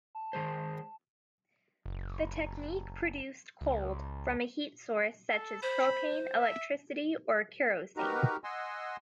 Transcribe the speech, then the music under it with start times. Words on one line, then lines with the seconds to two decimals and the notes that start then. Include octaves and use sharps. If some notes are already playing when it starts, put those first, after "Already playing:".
The technique produced "cold" from a heat source such as propane, electricity, or kerosene.
0.15 A5
0.33 D#3 G#3 C5
1.86 F#1
3.61 C#2
5.29 A4
5.62 C5 B5
6.38 E5
7.97 D#4 F#4 G4 A#4 B4 A#5
8.44 D#5 F#5 G#5 C6 E6